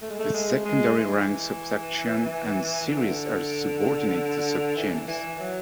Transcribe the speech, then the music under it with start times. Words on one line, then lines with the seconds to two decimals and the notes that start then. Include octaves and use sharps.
The secondary ranks of section and series are subordinate to subgenus.
0.02 A3
0.10 G#3
0.19 A3
0.34 G#3
0.65 G#3
0.97 E3
2.87 D3
4.76 E3
5.08 E3
5.39 F#3